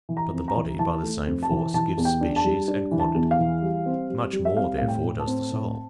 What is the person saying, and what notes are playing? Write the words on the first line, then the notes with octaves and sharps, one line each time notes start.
But the body by the same force gives species and quantity; much more, therefore, does the soul.
E3
A#5
F2
A#5
E3
E3 A5
A3
F2
A5
E3
E3 A5
E2
G5
D4
A5
G3
D4
E3
A5
E2
F5
E3
G3
C4
G3
G3
E5
C4 F5
A2 F5
G5
A2
A5
C4
A2